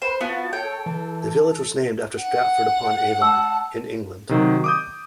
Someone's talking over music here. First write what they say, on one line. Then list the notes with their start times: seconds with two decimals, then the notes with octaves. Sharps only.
The village was named after Stratford-upon-Avon, in England.
0.02 B4 C5
0.21 B3 F4 F#4 A5
0.53 A4 C#5 G5
0.86 E3
2.22 F#5
3.22 A5 E6
4.29 C3 D#3 F#3
4.64 D6 D#6 G6